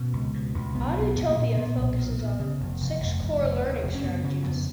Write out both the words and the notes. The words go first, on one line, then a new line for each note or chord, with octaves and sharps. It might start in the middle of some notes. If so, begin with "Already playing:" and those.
Edutopia focuses on six core learning strategies.
Already playing: B2 C#4
C#2
B2
C#2
B1 B3
B1
B3
B1
A#3
A#2
A#2 B3
B1
A#2
A#2
C#3
F1
F1
F1
F1
F1
D#2
F1
C#4
F#1 B3
C#3 C#4
F2 B3